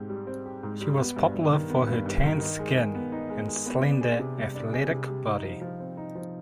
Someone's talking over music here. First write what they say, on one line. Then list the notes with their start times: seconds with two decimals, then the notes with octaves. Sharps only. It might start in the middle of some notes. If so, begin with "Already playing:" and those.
She was popular for her tanned skin and slender, athletic body.
Already playing: G#2 C4 G4
0.09 G3
0.27 C4
0.45 G4
0.63 G#2
0.81 G3
0.99 B3
1.16 G2
1.34 G2
1.52 D#3
1.70 B3
1.87 G2
2.06 G2
2.24 D#3
2.41 D#4
2.59 G#3
2.77 G#3
2.95 B3
3.12 D#4
3.30 G#3
3.48 G#3
3.66 B3
3.84 D4
4.01 G#4
4.19 C3
4.37 G3
4.55 D4
4.73 G#4
4.91 C3
5.09 G3
5.26 D#4
5.44 F3
5.61 F3
5.80 C4
5.97 D#4
6.15 F3